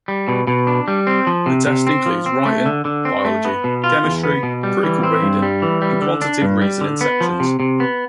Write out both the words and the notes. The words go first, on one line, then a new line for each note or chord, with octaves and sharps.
The test includes Writing, Biology, Chemistry, Critical reading, and Quantitative Reasoning sections.
G3
B2
B2
D4
G3
C4
F3
C3
C3
C4
F3
C4
A3
D3
D3
C4
A3
B3
B2
F4
E2
B3
B2
G3
E3
C4
G2
G3
E3
G3
D3
D4
G2
G3
D3
B3
F3
C3
C3
B3